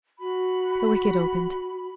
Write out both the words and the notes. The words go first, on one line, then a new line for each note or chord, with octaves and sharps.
The wicket opened.
F#4 B5